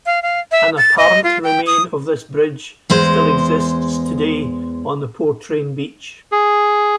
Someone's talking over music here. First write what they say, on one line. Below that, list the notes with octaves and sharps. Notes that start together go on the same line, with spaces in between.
An apparent remain of this bridge still exists today, on the Portrane beach.
F5
F5
E5
A6
D#5
F4
G5
D#6
E2 G#3 C5
G#4